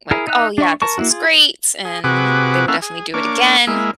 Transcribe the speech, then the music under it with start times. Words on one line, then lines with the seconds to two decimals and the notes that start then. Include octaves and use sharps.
like, "Oh, yeah, this was greats," and, they would definitely do it again?
0.11 E4 G#4 A#4
0.27 D#4 E5 A#5 F#6
0.58 D4 E5 C#6
0.82 A#4 A5 C#6
0.98 A#3 C#4 E4 F#4
1.11 F4 G#4
1.85 G#4
2.04 C3 F#4 G#4 B4 D6
2.68 A#3 C#4 E4 A4 F5 F#5
2.82 G#4
3.14 A#3 D4 C#5 D6
3.67 G#3 A#3 E4